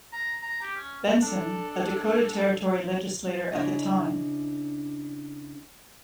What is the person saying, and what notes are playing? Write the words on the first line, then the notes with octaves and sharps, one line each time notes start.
Benson, a Dakota Territory legislator at the time.
A#5
A#5
G4
C#4
D4 A4
C#3 D4 E4 D#5